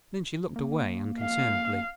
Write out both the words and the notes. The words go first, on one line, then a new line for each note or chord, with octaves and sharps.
Then she looked away unconcernedly.
A#3
F5